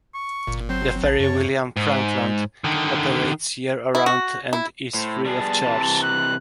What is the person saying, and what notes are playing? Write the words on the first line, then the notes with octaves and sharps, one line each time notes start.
The ferry "William Frankland" operates year round and is free of charge.
C#6
G1 A#2
F#3 C4 C5
A#1 A5
F#2 C#3 C#5
G#2
D3 D#3
E4
F#4
E4
A2 C5
G3 B3 G#4 A5
C3 E3
F#6